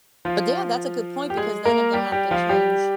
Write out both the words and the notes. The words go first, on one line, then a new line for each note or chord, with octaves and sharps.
But yeah, that's a good point, because then I'm gonna have to change
F3 F4
G4
G#3 G#4
A#3 A#4
G3 G4
G3 G4
F3 F4
G3 G4